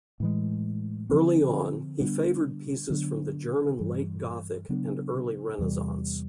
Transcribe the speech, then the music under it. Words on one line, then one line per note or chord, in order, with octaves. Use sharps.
Early on, he favored pieces from the German late Gothic and early Renaissance.
A2 E3 G#3
D3 F3 A3 C4
D3 G3 B3 D4
D3 F#3 B3 D4
G2 E3 G3
C#3 F#3 B3 D4
E2 C3 E3 G3